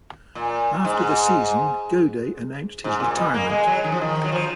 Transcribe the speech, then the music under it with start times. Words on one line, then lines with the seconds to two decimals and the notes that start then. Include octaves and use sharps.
After the season Gaudet announced his retirement.
0.35 A#2
0.85 G#2
2.84 G#2
3.00 A#2
3.17 B2
3.34 A#3
3.49 G#3
3.67 F#3
3.84 D#3
3.92 F3
4.01 D#3
4.24 F#3
4.32 F3